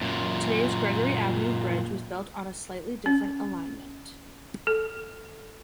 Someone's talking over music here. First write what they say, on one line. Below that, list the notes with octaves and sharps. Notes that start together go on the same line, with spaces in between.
Today's Gregory Avenue Bridge was built on a slightly different alignment.
F#2 A#2
C#4
A4